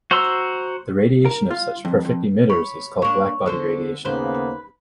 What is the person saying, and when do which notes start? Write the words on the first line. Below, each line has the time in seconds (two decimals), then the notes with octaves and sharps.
The radiation of such perfect emitters is called black-body radiation.
0.11 F#4 C5 A#5 C6 E6
1.25 A#4
1.51 F4
1.85 F2
2.05 F2
2.49 C#5 B5
3.02 A#3 D4 C#5
3.46 D3 A4 C5
4.05 D#2 C#3 A#3 B3 B4 C5